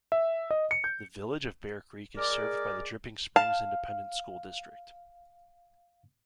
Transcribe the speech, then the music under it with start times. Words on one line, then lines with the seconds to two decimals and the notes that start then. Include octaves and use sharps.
The Village of Bear Creek is served by the Dripping Springs Independent School District.
0.12 E5
0.51 D#5
0.71 C#7
0.84 G6
2.17 G#3 G#4 A#4 D5
3.36 F5 A5